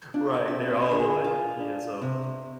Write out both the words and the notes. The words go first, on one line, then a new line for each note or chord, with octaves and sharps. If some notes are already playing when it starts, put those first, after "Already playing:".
Right, they're all like Yeah, so
D4 F4
C4 E5
D3 G#4
F4
D4
C3 C4